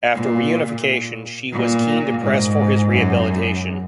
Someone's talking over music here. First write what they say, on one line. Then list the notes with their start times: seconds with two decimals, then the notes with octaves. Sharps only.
After reunification she was keen to press for his rehabilitation.
0.15 A#2
1.52 A#2
2.22 G#2
2.91 F#2